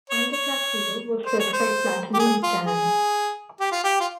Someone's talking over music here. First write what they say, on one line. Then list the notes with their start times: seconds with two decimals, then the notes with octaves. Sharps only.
"Underclass Hero" was certified Platinum in Canada.
0.10 C#5
0.33 C#5
1.26 C5
1.39 C#5
1.53 C5
2.14 G4
2.19 G#4
2.43 F4
2.66 G#4
3.60 G4
3.72 F4
3.84 G4
4.00 F4